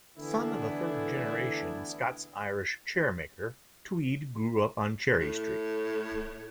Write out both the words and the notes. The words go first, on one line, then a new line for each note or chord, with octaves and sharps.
Son of a third-generation Scots-Irish chair-maker, Tweed grew up on Cherry Street.
D3 E3 A3 B3 D4 E4
A2